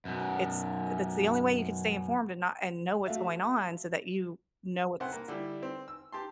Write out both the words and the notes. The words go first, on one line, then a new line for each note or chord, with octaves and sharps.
it's uh, that's the only way you can stay informed and not and know what's going on so that you know what's
F#2 B2
A3 F#4 E5 F5
C2 C5 F#5
A#3
D3 G3 E4
C4
E6
G4 A5 C6